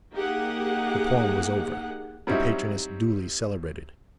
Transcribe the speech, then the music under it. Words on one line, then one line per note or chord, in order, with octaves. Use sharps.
The poem was over, the patroness duly celebrated.
A#3 D#4 G4 G#4 F#5
F#3 G3 C4 C#4 D#4 E4